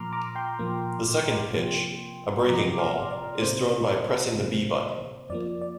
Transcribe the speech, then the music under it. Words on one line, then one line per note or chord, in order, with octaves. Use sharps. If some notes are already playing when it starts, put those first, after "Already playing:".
The second pitch, a breaking ball, is thrown by pressing the B button.
Already playing: A#2 F3 A#3 A#5 C6 D6 F6
A#5 D6
G5 C6
A#2 F3 A#3
C3 F3 A#3
C3 F3 A#3 A#5 D6
C6 F6
D5
C3 A#3 C5
C3 A#3
F2 F3 A#3 D5
D5